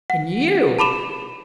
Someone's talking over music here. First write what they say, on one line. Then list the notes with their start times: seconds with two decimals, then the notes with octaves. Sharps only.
And you!
0.10 F#5
0.79 A5 B5 D6 E7